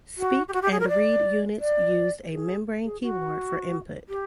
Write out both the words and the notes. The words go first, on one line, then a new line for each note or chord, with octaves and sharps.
Speak and Read units used a membrane keyboard for input.
F#4
G4
F#4
G4
G#4
A#4
D5
D5
G#4
G#4
F#4
G4